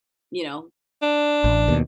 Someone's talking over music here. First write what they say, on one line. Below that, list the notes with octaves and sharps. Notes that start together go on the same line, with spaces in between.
you know
D4
A1
D#2 B2